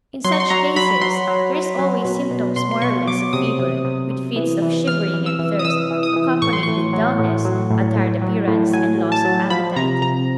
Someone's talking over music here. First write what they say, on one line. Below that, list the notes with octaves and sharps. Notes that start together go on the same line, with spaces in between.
In such cases there is always symptoms more or less of fever, with fits of shivering and thirst, accompanied with dullness, a tired appearance and loss of appetite.
F#3 C6
C#6
C6
F#3 A#5
F#3 B5
F#3 C6
F#3
F#3
F#3
B2
B2
B2 C6
C6
B2 C#6
F#3 D6
C3 D#6
C3
C3
C3
E3
E3
E3 F6
E3
E6
E3
D#6
E3 E6
E3
D#6
E3
A2 C#6
C6
C#6
A2
F#3
A2
F#3
A2
A2
F#3
A2
F#3 G#5
A2
A5
F#3
F3 B5
C3 A#5
C3 A#5